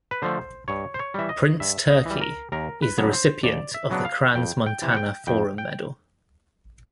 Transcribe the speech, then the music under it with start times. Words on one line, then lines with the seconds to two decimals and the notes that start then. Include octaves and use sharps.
Prince Turki is the recipient of the Crans Montana Forum medal.
0.11 B4
0.22 D3 F3 A3 C5
0.68 G2 C#5
0.94 C5
0.99 C#5
1.14 E3 G3 E5
1.29 D#5
1.60 G2 E5
1.91 D#5
2.06 E3 G3
2.21 A#4
2.52 D#2 A#4
2.82 B4
2.98 C#3 F#3 B3 D4
3.13 C5
3.44 D#2 D5
3.74 E5
3.90 C#3 F#3 B3 D4
4.05 F5
4.35 F2 G5
4.66 G5
4.82 C3 E3
4.91 F#5
4.97 G5
5.27 F2 G5
5.58 G5